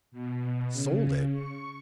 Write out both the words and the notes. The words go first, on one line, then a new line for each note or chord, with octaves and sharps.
Sold it!
B2
C#3
C#6